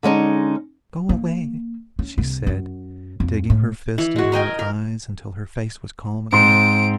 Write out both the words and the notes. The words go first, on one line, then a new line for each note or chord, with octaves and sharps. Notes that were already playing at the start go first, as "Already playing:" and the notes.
"Go away!" she said, digging her fist into her eyes until her face was calm again.
D3 G#3 C#4 D#4
A#3
C#4
C2
F#2
F2
A2
E3
G#3 F#4
A#4 D#5 G5 G#5
A#4
G#2 C4 C6 D7